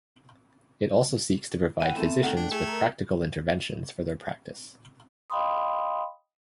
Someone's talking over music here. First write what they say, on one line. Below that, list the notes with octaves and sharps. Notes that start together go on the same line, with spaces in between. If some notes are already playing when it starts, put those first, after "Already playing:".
It also seeks to provide physicians with practical interventions for their practice.
E3 F#5 G5 D#7
A3 B3 C4 A4 E5
D#3 A3 F#5 G5
D4
A3 G#4
A#4 A#5
D#5 F5 G5 B5 C6 D#6